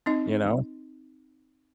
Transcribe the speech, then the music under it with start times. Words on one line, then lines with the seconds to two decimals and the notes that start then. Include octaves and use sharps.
you know?
0.06 C4 D#4 D#5